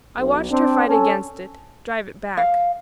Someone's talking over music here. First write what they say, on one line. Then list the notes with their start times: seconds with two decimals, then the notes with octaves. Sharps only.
I watched her fight against it, drive it back.
0.18 B1
0.50 C4 D4
0.87 C#4 A4
2.37 F5